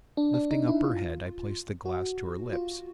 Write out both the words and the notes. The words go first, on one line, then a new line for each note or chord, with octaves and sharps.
Lifting up her head, I placed the glass to her lips.
D4
D4
D#4
E4
F4
F#4
F4